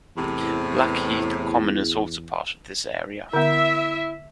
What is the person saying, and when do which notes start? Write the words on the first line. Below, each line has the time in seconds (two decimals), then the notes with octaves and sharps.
Blackheath Common is also part of this area.
0.17 E2 A2 C3
3.33 D3 B3 E4 E5